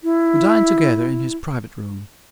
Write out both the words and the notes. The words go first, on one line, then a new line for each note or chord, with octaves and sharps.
We dined together in his private room.
E4